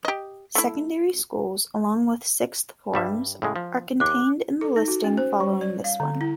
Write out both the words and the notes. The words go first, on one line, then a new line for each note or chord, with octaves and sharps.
Secondary schools, along with sixth forms, are contained in the listing following this one.
G4 D#5
A3 E4
G2 G3 E5
A2 C#3 G#3
F3
D#2 D6 F#6
A4
D#4
F#4
C#4
C5
G3
D5
F5
D3
E4